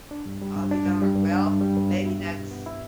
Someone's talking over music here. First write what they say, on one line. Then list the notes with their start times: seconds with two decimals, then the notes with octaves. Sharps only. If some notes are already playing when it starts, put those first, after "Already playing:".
I'll be darned. Well, maybe that's
0.11 D4
0.26 G2
0.42 G3
0.57 G2
0.71 D4
0.86 G2
1.02 G3
1.15 G2
1.31 D4
1.46 G2
1.61 G3
1.77 G2
1.91 B3
2.06 E4
2.21 G3
2.36 B2
2.51 B3
2.66 E4